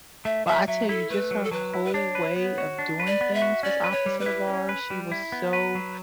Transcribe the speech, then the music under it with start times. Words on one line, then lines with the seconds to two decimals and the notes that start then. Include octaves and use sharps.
but I tell you just her whole way of doing things was opposite of ours, she was so
0.25 A3 E5
0.46 F#3 E5
0.67 F#3 E5
0.89 E4 A4
1.10 A3 B4
1.31 F#3
1.44 A4
1.51 F#3 B4
1.74 E4
1.85 B4
1.94 D4 C#5
2.15 B4
2.36 B3
2.58 F#4
2.79 D4
3.00 B4
3.07 D5
3.21 B3
3.35 E5
3.42 F#4
3.63 C#4 D5
3.84 B4
3.91 C#5
4.06 G3
4.20 B4
4.26 E4
4.47 C#4
4.69 B4
4.90 G3
5.12 E4
5.32 B3
5.53 B4
5.75 F#3